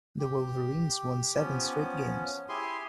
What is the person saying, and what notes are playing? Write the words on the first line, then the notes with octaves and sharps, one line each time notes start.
The Wolverines won seven straight games.
G4
F3 B3 C#4
E4 G4 G#4 G#5 C6